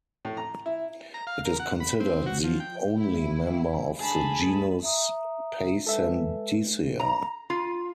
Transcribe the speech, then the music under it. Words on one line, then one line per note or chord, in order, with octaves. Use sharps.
It is considered the only member of the genus Paysandisia.
A2
A#5
E4
A#5
F5
A#4
F#5
B5
C4
F#4
F3
G5
E4
D2 G#4 A5 B5
E5 A#5 D#6
G#3 A4 B4 E5
A#5
F4